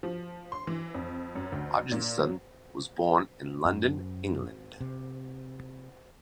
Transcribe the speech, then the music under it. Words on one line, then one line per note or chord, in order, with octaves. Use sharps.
Hodgson was born in London, England.
F3
C6
E3
F2
F#2
D2
A#2
F#3
F#2
C3